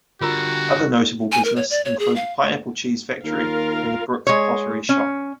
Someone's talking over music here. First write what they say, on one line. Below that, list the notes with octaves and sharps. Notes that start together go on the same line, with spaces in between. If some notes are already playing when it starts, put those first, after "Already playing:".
Other notable business include the pineapple cheese factory and the Brooks pottery shop.
D3 G3 F4 F#4 A#4 A#5
G#5
A#4
C#5
D5
C#5
G#4
F5
D#2 F4 A#4 F5
G#3 C#5
C#4